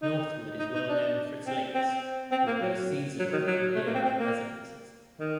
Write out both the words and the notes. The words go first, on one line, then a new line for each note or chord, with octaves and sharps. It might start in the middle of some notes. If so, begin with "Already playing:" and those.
Northwood is well known for its lakes, with both seasonal and year-round residences.
D#4
D#4
D#4
D4
C4
C4
C4
A#3
F#3
F#3
D#3
F#3
A3
A#3
C4
C4
A#3
D#3